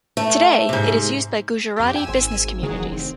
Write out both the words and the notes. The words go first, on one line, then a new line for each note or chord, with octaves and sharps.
Today it is used by Gujarati business communities.
A3
G#2 C3
F2 G4
G5 G#5 E6
G#1 C5
E1 D#3 F#3 G#4
F1 C4